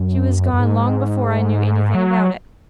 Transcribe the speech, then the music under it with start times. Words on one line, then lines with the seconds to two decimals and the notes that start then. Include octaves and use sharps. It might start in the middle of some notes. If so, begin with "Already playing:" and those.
She was gone long before I knew any thing about it.
Already playing: F#2
0.53 F#2
0.60 G#2
1.95 F#3